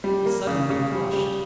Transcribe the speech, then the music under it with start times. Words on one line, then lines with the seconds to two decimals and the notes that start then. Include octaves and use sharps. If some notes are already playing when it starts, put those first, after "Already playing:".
He suddenly flushed.
0.04 G3
0.26 A#3
0.47 C#3
0.70 C#3
0.92 G3
1.13 G3